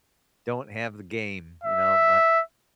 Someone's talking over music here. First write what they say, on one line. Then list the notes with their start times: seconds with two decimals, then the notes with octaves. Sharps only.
don't have the game, you know, my
1.64 E5